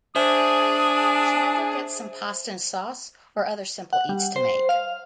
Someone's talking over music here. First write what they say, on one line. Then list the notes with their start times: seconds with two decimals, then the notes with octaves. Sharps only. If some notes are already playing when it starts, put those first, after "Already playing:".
Should I go get some pasta and sauce, or other simple eats to make?
0.16 D4 G#4 C5 E5 D#6
3.93 F#5
4.09 G3
4.36 C5
4.69 F5